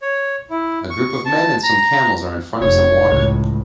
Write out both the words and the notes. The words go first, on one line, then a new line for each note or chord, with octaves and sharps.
A group of men and some camels are in front of some water.
C#5
E4
C#6
A5
A#5
F1 C#5
C#2 A2